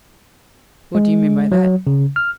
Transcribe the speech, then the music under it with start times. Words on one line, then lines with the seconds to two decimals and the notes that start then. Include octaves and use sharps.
"What do you mean by that?"
0.95 G#3
1.52 F#3
1.87 C#3
2.16 F6